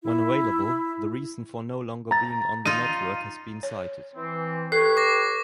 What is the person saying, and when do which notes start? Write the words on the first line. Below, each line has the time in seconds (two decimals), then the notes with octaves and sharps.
When available, the reason for no longer being on the network has been cited.
0.02 E4
2.11 A#5 A6
2.65 D#4 F4 D#7
3.63 C#5
4.16 E3 C4
4.72 G4 A4 B4 C#5 C7
4.97 D6 A#6